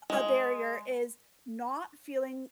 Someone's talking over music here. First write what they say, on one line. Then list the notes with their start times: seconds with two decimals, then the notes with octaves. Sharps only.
a barrier is not feeling
0.10 G#3